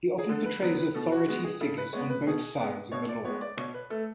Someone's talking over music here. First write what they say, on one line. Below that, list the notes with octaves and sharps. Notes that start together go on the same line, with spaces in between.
He often portrays authority figures on both sides of the law.
G#4
D3 A4
B4
F#3 B3 B4
B4
B2 A4
F#4
G#3 B3 F#4
G#4
C#3 A4
B4
G#3 B3 C#5
B4
B2 G#4
G#3 B3
B2 C#5
D5
G#3 B3 C#5
D5
B2 C#5
B4
A3 A4